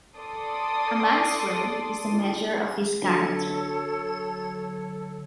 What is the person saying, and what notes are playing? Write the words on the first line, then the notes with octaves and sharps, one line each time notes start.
A man’s word is the measure of his character.
A4 D5 C6 D#6
D3 F#3 A4 C#5 C#7